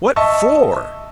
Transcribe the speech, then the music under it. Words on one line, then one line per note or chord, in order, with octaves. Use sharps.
"What FOR?"
D#5 E5 A5 C#6 E6